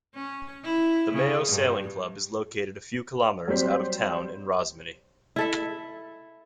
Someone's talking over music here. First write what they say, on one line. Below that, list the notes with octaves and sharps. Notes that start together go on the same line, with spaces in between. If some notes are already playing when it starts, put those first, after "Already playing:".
The Mayo Sailing Club is located a few kilometres out of town in Rosmoney.
C#4
E4
C#3
G2
F#3 G3 C4 C5 B6
E4 A4 E5